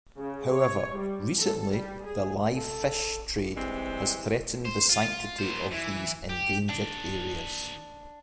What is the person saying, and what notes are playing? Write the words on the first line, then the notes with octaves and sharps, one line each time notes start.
However, recently the live fish trade has threatened the sanctity of these endangered areas.
C#3
C#5
G3
A4
G3
G#4
A4
E3 G3 G#3 C4
C5
F4
A#3 C5
E3
G4
A#2 D#3 D4